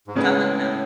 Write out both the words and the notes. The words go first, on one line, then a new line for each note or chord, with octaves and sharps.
Tama na!
G#2
A2 C#3 G#3 C#4 G#4 B4